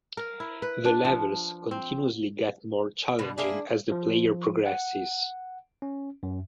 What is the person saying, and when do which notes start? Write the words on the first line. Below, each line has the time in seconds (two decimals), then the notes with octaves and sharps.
The levels continuously get more challenging as the player progresses.
0.17 A#4
0.40 E4
0.62 B4
0.85 D4
1.05 F3
1.71 C4
3.19 B2 D3 G3
3.38 A#3 D4 E4 G#4
3.92 F3
4.66 F#5
5.82 C#4
6.23 F#2